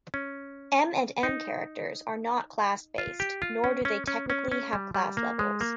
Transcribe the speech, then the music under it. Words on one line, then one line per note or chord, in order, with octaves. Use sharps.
"M and M" characters are not class-based nor do they technically have class levels.
C#4
D#4
F4
G4
F4
C#4
C#4
C#4
C#4
C#4
G3
G3
A#3
G#3
A#3